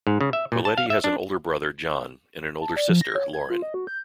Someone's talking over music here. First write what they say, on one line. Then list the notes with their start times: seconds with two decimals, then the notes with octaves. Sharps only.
Colletti has an older brother John, and an older sister Lauren.
0.07 G#2
0.21 C#3
0.33 E5
0.52 A#2
0.65 A5
0.78 F5
0.90 E5
1.04 D4
2.61 A5
2.76 D5
2.89 F3
3.01 A#6
3.15 C#5
3.33 G#6
3.50 F4
3.62 D#5
3.74 F#4
3.87 G6